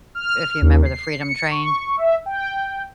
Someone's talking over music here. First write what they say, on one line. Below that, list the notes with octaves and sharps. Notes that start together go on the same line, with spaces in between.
if you 'member the Freedom Train-
F6
D#2
C7
C#7
C#6
E5
G5